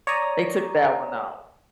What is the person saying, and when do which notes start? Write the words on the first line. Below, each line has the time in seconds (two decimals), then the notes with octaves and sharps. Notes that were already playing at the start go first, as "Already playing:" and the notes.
They took that one off.
0.07 C#5 D5 A#5 D#6